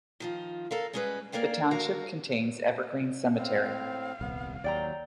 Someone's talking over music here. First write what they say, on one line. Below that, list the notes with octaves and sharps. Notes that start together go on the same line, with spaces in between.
The township contains Evergreen Cemetery.
D#3 F3 F4
A4 A#4 F5
G3 G#3 C#4 G#4 B4
A#3 A#4 D5 F5 G5
F#4 A#4 F5
A2 C4 F5
D#1 C2 B3
D#2 F#3 D5 G5 A#5